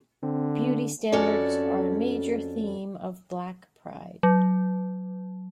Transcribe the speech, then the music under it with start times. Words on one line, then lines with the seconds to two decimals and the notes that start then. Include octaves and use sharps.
Beauty standards are a major theme of black pride.
0.23 D3 C4
1.12 F2 C#4 F#4 A4 D5
4.23 F#3